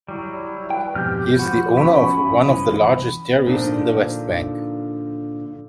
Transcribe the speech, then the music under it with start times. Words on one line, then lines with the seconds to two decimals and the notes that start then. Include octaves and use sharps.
He is the owner of one of the largest dairies in the West Bank.
0.08 F#3 G3 E4
0.70 B4 G5
0.95 F2 G#2 B2 G4 F6 G6
1.37 F3 F#4 B5
1.77 B3 C#4 C#6
2.49 G2 E3
3.46 A#2 D3 F3 D4 D#4